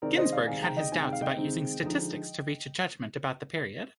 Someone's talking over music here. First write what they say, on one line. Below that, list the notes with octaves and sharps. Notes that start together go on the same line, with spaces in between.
Ginzburg had his doubts about using statistics to reach a judgment about the period.
C3 D#3 G#3 C4 D#4 A#4 D5
C5 D#5
D5 F5
C3 D#3 G#3 C4 D#4 F5 G#5
G5 A#5
D#5 G5
C3 D#3 G#3 C4 D#4 G#5
G5
F5
D#5 G5
C3 D#3 G#3 C4 D#4
D3 F3 G#3 D#4